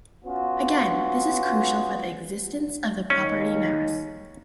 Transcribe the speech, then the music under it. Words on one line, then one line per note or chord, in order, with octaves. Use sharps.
Again, this is crucial for the existence of the property "mass".
B3 C#4 F4 F#4
D#2 C#4 D#4